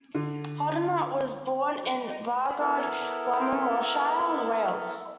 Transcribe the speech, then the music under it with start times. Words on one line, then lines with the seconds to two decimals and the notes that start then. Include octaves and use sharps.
Hoddinott was born in Bargoed, Glamorganshire, Wales.
0.15 D3
2.59 B3 E4 A4 A#4